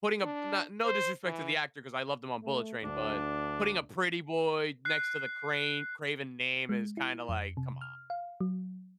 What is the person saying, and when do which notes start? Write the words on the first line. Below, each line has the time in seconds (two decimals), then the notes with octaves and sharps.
putting up n no disrespect to the actor 'cause I loved them on Bullet Train, but putting a pretty boy next to the crane Craven name is kinda like, come on.
0.23 D4
0.85 C5
1.25 E3
2.42 A3
2.84 D2 D4
4.85 F#6 C7
6.69 G#3
6.97 E4
7.29 F2
7.57 C3
7.81 F6
8.10 F5
8.41 F#3